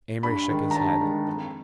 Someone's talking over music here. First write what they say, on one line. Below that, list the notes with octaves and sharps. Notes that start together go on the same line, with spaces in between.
Amory shook his head.
G2 B5
D#3 G#3
A#5
G2 A5
D#3 G#3
F2